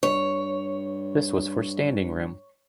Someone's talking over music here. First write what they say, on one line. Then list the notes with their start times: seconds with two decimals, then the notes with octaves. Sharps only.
This was for standing room.
0.03 G2 C#5